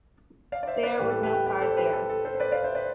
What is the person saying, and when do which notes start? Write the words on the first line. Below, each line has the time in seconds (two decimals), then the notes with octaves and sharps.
There was no pride there...
0.52 D5 F5
0.63 D5
0.67 C5 E5
0.83 B4 D5
0.99 A2 E3 G3 G4 B4
1.10 A4
1.23 G4 B4
1.34 G4
1.46 G4 B4
1.61 A4 C5
1.77 G4 B4
1.93 A4
2.09 A4
2.25 A4 C5
2.35 C5
2.40 B4 D5
2.52 D5 F5
2.64 C5 E5
2.75 B4 D5